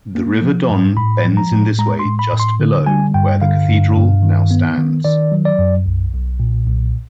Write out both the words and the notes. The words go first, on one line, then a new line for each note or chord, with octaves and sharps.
The River Don bends in this way just below where the Cathedral now stands.
A#3
F3
G#2
A2 B5
F3
A#5
A2
G#3 A#5
C6
A2
B5
A2
C6
D3
G3 G#5
G2 G5
D3 F5
G2
G2
D#3
B3
D#3
D#3 D5
F#3
D5
F#2
B1
B1
A#2
B1